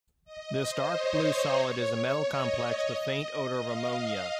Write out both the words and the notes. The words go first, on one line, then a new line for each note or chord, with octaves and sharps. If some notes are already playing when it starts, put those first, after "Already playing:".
This dark blue solid is a metal complex with faint odor of ammonia.
D#5
C5
C#5
D#5
C#5
D#5
F5